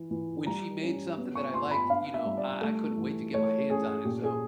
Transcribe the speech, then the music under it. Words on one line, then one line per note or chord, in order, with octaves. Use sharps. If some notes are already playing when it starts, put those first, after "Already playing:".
when she made something that I liked, you know, uh, I couldn't wait to get my hands on it, so,
Already playing: E3
E3
G3 A#5
C#4
B3
C#6
B3 C6
B5
D4 F5
E5
G3
D5
A3
E3
A3 C#5
C#4 G#4
A#2 G4
G#4